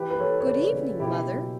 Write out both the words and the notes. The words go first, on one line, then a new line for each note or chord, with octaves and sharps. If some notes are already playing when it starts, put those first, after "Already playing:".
'Good evening, mother.
Already playing: E3 G4 B4
B4
E3 A4 C#5
C#5
C#3 B4 D5
C#3
B2 E4 G4
F#3